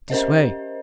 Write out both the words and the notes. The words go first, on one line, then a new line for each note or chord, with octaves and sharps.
"This way."
C#4 A#4 C5 D#5